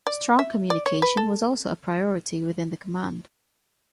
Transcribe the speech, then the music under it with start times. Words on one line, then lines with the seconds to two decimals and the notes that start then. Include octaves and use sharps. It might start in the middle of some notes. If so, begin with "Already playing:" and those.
Strong communication was also a priority within the command.
0.07 D5
0.39 E5
0.70 D5
0.86 C#5
1.02 B4
1.17 A4